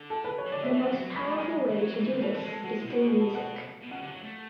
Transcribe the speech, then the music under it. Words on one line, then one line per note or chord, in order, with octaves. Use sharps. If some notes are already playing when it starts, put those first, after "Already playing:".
The most powerful way to do this is through music.
Already playing: D3
A4
B4
C#5
E3
D3 D5
E5
E3 E5
F#5
F#3
G#3 B5
A3
G#3 G#5
E3
F#3
F#3
E3
D3
E3 B4
A4
G#3
A4
G#3 F#4
E4
B2
F#4
G#4
A4
F#5
B2
C#3 F#5
D3
F#3
A3